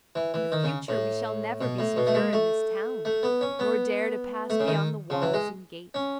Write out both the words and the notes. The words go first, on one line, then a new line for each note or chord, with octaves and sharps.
In the future we shall never be secure in this town, nor dare to pass beyond the walls and gate.
E3
E3
D#3
C#3
A2
B2
A2
B2
A3
G#3
A3
A3
B3
C#4
B3
A3
C#3
D#3
C#3
E3
G#3
C#4